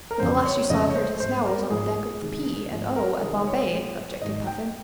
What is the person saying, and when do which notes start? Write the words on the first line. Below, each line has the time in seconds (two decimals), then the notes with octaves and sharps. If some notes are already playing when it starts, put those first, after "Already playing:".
"But the last you saw of her just now was on the deck of the P. and O. at Bombay," objected Puffin.
0.11 A#4
0.20 F2 C#3 G3 C5
0.45 C#5
0.70 F2 C#3 F3 G#3 D#5
0.90 C#5
0.95 C5
1.20 G#2 G3 C5
1.46 A#4
1.70 G#2 F3 G#3 G#4
2.21 C3 D#3 G#3
2.71 G#2 F3 G#3
2.96 A#4
3.21 C3 D#3 G3 G#4
3.47 C#5
3.72 A#2 G#3
4.22 G#2 D#3 G#3 D#5
4.47 G5